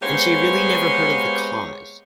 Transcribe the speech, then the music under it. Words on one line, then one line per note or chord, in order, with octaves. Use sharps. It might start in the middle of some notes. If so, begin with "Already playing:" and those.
And she really never heard of the cause!
G#3 A#3 B3 G4 C5 C#5